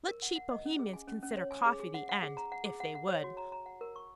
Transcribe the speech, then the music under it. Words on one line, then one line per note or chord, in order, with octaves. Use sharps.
Let cheap Bohemians consider coffee the end, if they would.
A#4
F#5
F#5
D#5
C#4
G#4
G#5
C#4
C#4
C#5
G#5
G#4
G#4
F#5
F#5
G#4
A#5
F#5
G#4
F#5
F#5
C#5
F#4
A#5
A#5
F#5
A#4
C#6